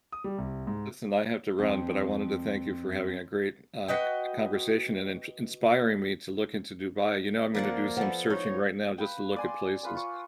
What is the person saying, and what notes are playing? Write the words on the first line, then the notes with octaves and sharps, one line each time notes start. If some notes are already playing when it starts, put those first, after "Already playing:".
Listen. I have to run, but I wanted to thank you for having a great, uh, c conversation and int inspiring me to look into Dubai. You know, I'm gonna do some searching right now just to look at places
D#6
G3
C2
G#2
F2 C4
F#4 B4 D#5 G5
F3 A#3 D5 F#5
F3 B3 A4 F#5
D#4 C#5
B4 F5 G5
D5 G#5 C6
F4 B4 G#5
F4 C#6